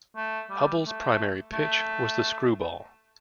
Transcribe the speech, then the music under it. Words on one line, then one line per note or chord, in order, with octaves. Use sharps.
Hubbell's primary pitch was the screwball.
A3
G3
A3
A3